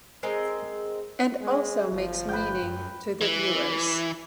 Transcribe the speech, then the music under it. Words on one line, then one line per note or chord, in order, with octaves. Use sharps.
And also makes meaning to the viewers.
G#3 C4 A#4 D#5
G#3
G1 F3
B4 G5
F#2
E3